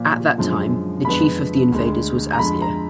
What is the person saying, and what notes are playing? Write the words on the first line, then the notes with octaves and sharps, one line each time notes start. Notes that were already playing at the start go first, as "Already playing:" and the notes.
At that time, the chief of the invaders was Asgeir.
Already playing: A#2 F3 A#3
F#2 D3 F3 G#3
F2 D3 G#3 B3 B5
D2 D3 G#3
A#5
F2 D3 G#3 B5
A#5